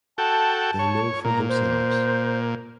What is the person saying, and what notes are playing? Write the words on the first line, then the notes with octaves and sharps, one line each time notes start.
They know for themselves.
F#4 A4 G5 A5
C#5
A#2 A#5
C5